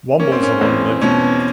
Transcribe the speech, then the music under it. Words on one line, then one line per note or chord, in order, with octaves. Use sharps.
Wombles are long-lived.
A#3 C#4
C4
C#4
E2 C4
B2 C#4